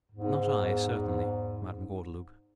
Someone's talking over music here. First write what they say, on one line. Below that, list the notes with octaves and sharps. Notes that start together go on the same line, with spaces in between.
"Not I, certainly, Madam Gordeloup."
E2 G#2